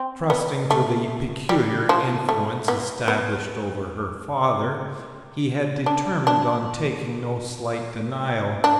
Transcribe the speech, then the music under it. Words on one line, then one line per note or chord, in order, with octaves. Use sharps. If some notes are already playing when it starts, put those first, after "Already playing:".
Trusting to the peculiar influence established over her father, he had determined on taking no slight denial.
Already playing: C4
B3
A3
G3
F3
A3
B3
B3
D4
D4
D4